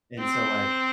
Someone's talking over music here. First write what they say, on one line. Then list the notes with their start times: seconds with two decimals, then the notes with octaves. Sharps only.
and so, like,
0.19 C4